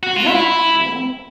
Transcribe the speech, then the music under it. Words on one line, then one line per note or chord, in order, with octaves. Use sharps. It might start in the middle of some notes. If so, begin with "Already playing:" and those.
Uh-huh. Yeah.
F#4
F4
E4